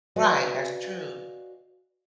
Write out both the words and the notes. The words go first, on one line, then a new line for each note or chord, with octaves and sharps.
Right, that's true.
F#4 B4 D5 D#5 F5 G#5